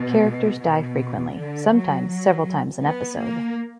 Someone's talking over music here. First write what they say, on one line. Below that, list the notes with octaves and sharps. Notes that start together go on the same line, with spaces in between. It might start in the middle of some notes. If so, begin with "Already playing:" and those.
Characters die frequently, sometimes several times an episode.
Already playing: B2
B2
D3
F#3
F#3
B3
A#3